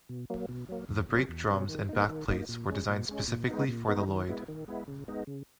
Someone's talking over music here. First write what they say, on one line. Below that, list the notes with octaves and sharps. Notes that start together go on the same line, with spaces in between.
The brake drums and back plates were designed specifically for the Loyd.
B2
F#3 A#3
B2
F#3 A#3
E2
B2 F#3 C#4
E2
B2 F#3 C#4
D#3
A#3 D#4
D#3
A#3 D#4
A#2
G#3 C#4
A#2
G#3 C#4
A#2
G#3 B3 D#4
A#2
G#3 B3 D#4
D#3
G#3 B3 E4
D#3
G#3 B3 E4
C#3
G#3 B3 D#4
C#3